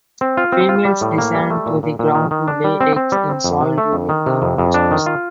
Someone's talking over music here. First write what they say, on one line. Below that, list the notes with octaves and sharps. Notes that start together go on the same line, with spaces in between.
Females descend to the ground to lay eggs in soil during the monsoons.
C4
F4
C4
F4
G3
A2
A#3
G3
A3
A#2
A#2
A#2
D#3
D#3
D4
G3
C4
C4
G3
C4
F2
C3
A3
F2
D#3
C3
F2
F2
D4
D#3
F4